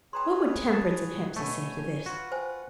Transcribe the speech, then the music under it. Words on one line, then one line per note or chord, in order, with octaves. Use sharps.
"What would Temperance and Hepsey say to this?"
G#4 B4 C#5 G5 A#5 C6
A5
B2 A3 C#5 G#5
F4 F#4 B4 F#5
C5 G5 G#5